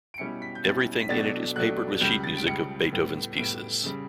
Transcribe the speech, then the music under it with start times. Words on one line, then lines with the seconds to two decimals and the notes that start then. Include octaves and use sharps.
Everything in it is papered with sheet music of Beethoven's pieces.
0.14 D7
0.18 B2 G3 C#4 E4 C#7
0.42 B6
0.55 G6
0.64 B2 G3 C#4 E4 A6
1.02 B6
1.09 B2 F#3 A3 D4 A6
1.56 B2 F#3 A3 D4 F#6
2.00 C#2 C#3 G3 G6
2.24 A6
2.37 D7
2.46 C#2 C#3 G3 C#7
2.93 A2 G3 B3
3.37 A2 G3 B3 D7
3.84 C#3 G3